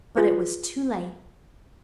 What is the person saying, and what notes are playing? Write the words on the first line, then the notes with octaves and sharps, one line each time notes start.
But it was too late.
F4 G#4 B4